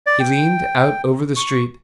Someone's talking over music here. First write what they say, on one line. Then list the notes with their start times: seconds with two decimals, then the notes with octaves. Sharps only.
He leaned out over the street.
0.06 D5
0.20 G5
1.36 C#6